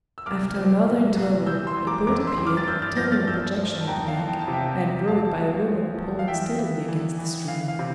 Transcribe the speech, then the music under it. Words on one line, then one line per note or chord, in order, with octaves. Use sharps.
After another interval a boat appeared, turning a projection in the bank, and rowed by a woman pulling steadily against the stream.
E6
C2 D6 F6
F3
A#2
C2
E3 E6 G6
C6 E6
E3
A#5 D6
F2 A#5 D6
C6 E6
E3
D6 F6
A6
G2 E6 G6
F6 A6
F3 G6 A#6
F6 A6
G2 E6 G6
F3
A5
E2 G5 A#5
F5 A5
E3
G5
A5
C3
E5 G5
E2
E2 F5 A5
E2
F3
E2
F5
E3 E5 G5
E3
E3
E3
E3 F5
F5
C3